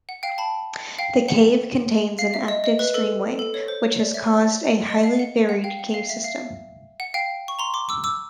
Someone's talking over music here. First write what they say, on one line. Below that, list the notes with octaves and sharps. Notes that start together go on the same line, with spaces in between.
The cave contains an active streamway, which has caused a highly varied cave system.
F#5
F5 G5
A5 B5
F5 G5
F#5
F5
E5
D#5
D#5
B4
A4
A4
C#5
C5
C#5
D5
E5
D#5
F5
F#5
F#5
F5 G5
F#5
F5
E5
F5
F#5
F5 G5
C#6
A#5 C6
C6 D6
D6 E6
D6 E6